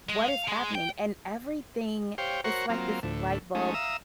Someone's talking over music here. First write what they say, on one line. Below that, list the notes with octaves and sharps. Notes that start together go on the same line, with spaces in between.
"What is happening?" And everything it's like this light bulb
G#3
F5
G#3
G5
G4 C5 C#5 F5 G5
F#4 A#4 C5 C#5 F#5 C#6
F#3 A#3 C4 F4
D2 A2
G#3 A3 C#4 D#4
E5 F5 A#5 D#6 E6